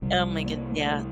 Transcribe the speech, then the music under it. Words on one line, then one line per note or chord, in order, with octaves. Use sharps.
Oh my goodne yeah.
C2 C3 G3
A#3
A3